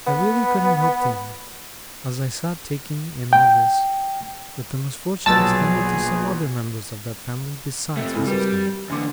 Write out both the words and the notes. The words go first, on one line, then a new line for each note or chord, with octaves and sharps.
I really couldn't help thinking, as I sat taking in all this, that the misfortune extended to some other members of that family besides Mrs. Gummidge.
B3
G5
A#1 B2 F#3 G#4 A5 E6 A6
C3 A3
C#2 C4 E4 A4
G3 F#4 A#4 B4
E2 D3 C#4 C6 D6